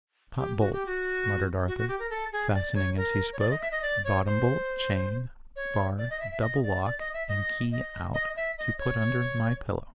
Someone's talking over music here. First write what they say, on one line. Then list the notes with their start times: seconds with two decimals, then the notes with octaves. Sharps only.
'Top bolt,' muttered Arthur, fastening as he spoke, 'bottom bolt, chain, bar, double lock, and key out to put under my pillow!
0.38 G4
0.59 F#4
0.72 G4
0.86 F#4
1.68 F#4
1.78 F#4
1.88 G4
1.99 A#4
2.10 A4
2.32 G#4
2.54 D5
2.75 C#5
2.97 A#4
3.33 C#5
3.39 D5
3.51 D#5
3.61 E5
3.72 D#5
3.82 D5
4.04 C#5
4.26 C5
5.56 C#5
5.98 D5
6.10 D#5
6.20 E5
6.31 E5
6.41 D#5
6.63 D5
6.85 D5
6.99 D#5
7.14 E5
7.28 D#5
7.72 D#5
8.14 D#5
8.36 E5
8.58 D#5
8.78 C#5